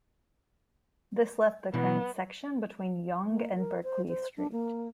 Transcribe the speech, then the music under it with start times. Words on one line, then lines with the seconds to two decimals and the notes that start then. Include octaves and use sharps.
This left the current section between Yonge and Berkeley Street.
1.74 B2 E3 B3
3.28 A#3
3.58 A#4
3.83 C5
4.08 C5
4.37 D4
4.52 A#3